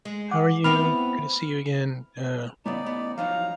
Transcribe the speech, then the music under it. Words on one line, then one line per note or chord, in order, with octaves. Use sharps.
how are you, good to see you, again,'" uh
G#3
F#5 D6
B3 C4 E4 B5 F6 F7
A1 A2 C#3 B3 D#4 D5
B3
F3 F#3 D#4 F5 A#5